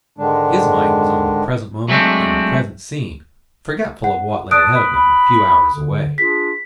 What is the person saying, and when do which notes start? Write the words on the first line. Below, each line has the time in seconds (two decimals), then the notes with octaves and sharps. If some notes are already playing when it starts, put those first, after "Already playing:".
His mind was on the present moment and the present scene, forgetful of what lay ahead of them, a few hours away.
0.18 G#2 D3 D#3 G#3 D4
1.88 F#3 G#3 A3 C4 D4
4.04 F#5
4.51 D5 A5 D#6 F#6 D7
4.75 B5
5.74 D3
6.18 D4 F4 G#4 B6